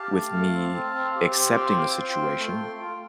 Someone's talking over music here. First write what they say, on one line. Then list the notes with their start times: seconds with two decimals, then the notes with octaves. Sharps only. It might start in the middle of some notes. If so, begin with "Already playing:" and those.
with me accepting the situation,
Already playing: G4 F5 A5
0.11 A3
0.32 A3
0.53 C4
0.73 C4
0.95 C4
1.15 G4
1.36 C4
1.56 F4 G5 C6
1.77 F4
1.98 C4
2.19 F4
2.39 A3
2.60 A3
2.81 F4